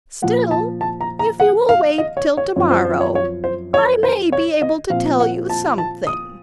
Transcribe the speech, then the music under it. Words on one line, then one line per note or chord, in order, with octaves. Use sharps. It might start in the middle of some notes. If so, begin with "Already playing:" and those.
Still, if you will wait till to-morrow I may be able to tell you something.'
A#2 F3 A#3 F#5
A5
A5
A#5
A#5
F#5
F5
D#5
C#5
C#5
F#2 F3 C4 F4 C#5
C5
C5
C#5
C#5
C5
C#5
C5
C#5
D#5
A#2 F3 C4 F4 F5
F#5
A5
A5
D#6